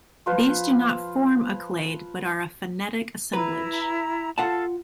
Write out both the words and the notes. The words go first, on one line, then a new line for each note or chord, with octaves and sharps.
These do not form a clade but are a phenetic assemblage.
F3 F4 B4 C5
E4 B4 A#5
F4 A4 F5 F#5 A5